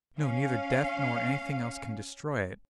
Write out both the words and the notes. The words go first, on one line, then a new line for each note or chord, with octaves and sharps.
No, neither death nor anything else can destroy it.
C#4 F5